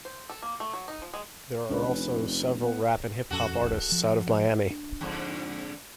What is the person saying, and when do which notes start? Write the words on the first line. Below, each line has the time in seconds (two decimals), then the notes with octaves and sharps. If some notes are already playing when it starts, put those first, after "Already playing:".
There are also several rap and hip hop artists out of Miami.
0.05 C5
0.29 A4
0.42 A#3
0.60 A3
0.73 F#3
0.88 D#4
1.02 F3
1.14 G#3
1.70 C#2 C#4 D4 B4
1.87 F1
2.60 B3 F#5
3.31 D#1 F2 C#4 F#4 A4
3.92 F3
4.70 D4
5.01 F2 G#2 D3